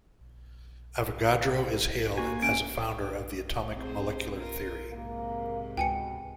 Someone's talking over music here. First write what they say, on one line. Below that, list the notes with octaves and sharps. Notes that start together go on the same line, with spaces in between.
Avogadro is hailed as a founder of the atomic-molecular theory.
A#3 F#4 G#5
C#4 D7
C4 G#4 C5
F4 A#4
G#2 C3 A#3
C#2 B2 G5 G#5 C#7